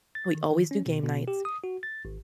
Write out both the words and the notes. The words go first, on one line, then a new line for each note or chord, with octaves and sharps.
We always do game nights,
A6
D#3
D#3
C#4
B2
B2
G4
D#6
F#4
A6
G#1